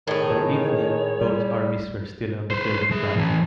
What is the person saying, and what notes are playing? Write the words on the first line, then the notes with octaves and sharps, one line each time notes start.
By evening, both armies were still on the field of battle.
A2 D#3 G#4 C#5
G3
B4 C5
F3 G#4
A2 E3